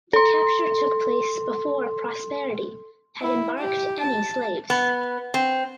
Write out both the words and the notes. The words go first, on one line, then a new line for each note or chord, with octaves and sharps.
The capture took place before "Prosperity" had embarked any slaves.
A4 C6
E4
G4
A5
B3
C4